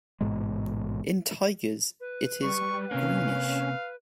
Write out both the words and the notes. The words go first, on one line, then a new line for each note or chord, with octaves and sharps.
In tigers it is greenish.
A1 G#2 B2 G#3
B4
G3 C#6
C3 A#3 C#4 F5